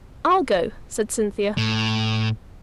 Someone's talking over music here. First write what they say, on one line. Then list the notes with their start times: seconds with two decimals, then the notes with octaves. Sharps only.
"I'll go," said Cynthia.
1.58 A2